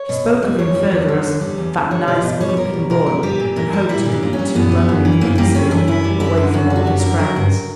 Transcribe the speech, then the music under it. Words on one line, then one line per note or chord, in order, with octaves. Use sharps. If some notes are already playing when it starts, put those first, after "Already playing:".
She spoke of him further as "that nice, good-looking boy," and hoped he wouldn't be too lonely in Innisfield, away from all his friends.
Already playing: C#5
B2
B2
G3
E2 C#5
G3
E2
D3
E2
G3
E2
D3
G3 C#5
B2 D5
B2
G3 C#5
G3 A#4
B2
B2 A#4
G3
G3 G4
A#2
A#2 A#4
G3
G3 E4
A#2
D4
A#2
C#4
G3
F#2 B3
G3
F#2
E3
F#2 A#3
G3 A#3
F#2 C#4
E3 D4
F#2 E4
G3
F#2 E4
D3
F#2 F#4
G3
F#4
F#2
A#4
D3
F#3 A#4
G2